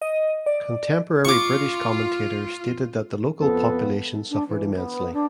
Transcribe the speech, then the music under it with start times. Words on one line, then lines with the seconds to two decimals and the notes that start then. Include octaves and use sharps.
Contemporary British commentators stated that the local population suffered immensely.
0.02 D#5
0.46 D5
1.25 F4 C#6 D6
3.41 F2 B3 A4
4.30 D4
4.48 E3
4.74 B3
5.13 D4